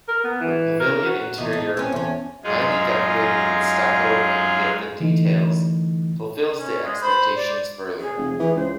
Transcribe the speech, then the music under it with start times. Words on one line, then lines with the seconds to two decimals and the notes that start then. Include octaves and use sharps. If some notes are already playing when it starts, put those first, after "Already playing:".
The pavilion interior, highly decorated with stucco and gilded details, fulfils the expectations further.
0.08 A#4
0.24 B3
0.41 E3
0.80 A#4
1.06 F#4
1.38 E2 D#4
1.53 D#4
1.77 C4 C#4
1.92 E2 C#4
2.44 F#2 G#3 D#4 F4 G#4
5.00 D3 E3 A3 D#4
6.58 C#4
6.85 G#3
7.02 C5 B5
7.36 D5
8.00 G#4
8.17 F1
8.40 E3 G#4
8.56 C#2 C5